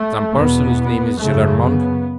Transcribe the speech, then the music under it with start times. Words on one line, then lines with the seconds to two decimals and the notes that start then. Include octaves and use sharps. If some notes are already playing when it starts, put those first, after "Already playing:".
"Some person whose name is Gillenormand?"
Already playing: A3
0.34 E2 B2 B3
1.21 F#2 C#3 A3
1.64 B3